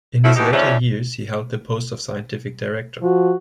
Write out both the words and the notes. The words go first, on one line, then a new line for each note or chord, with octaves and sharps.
In his later years he held the post of scientific director.
F3 F#3 A3 E4
B2 E3 D#4 G4
F2 G#2 C#3 C#4 D5 E5
F3 F#4